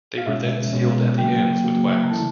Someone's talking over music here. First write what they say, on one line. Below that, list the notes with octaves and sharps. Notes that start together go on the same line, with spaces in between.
They were then sealed at the ends with wax.
F5
B2 G#3 C#4 E5
B2 G#3 C#4
C#3 F#3 A#3 G5
C#3 F#3 A#3
A#5
C#3 E3 A3 C#4 E4 A5